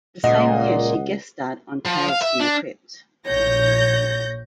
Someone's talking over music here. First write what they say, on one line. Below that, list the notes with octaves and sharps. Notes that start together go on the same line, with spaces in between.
The same year, she guest starred on "Tales from the Crypt".
C#2 A#2 D#5 F#5
F3
F5
E5
D4
A#1 C#5 G6 A#6